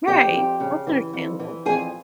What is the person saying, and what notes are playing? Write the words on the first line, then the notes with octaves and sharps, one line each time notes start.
Right, that's understandable.
F2 G4 G5
F2
C#3
E3
F2
E3
F2 G#4 G#5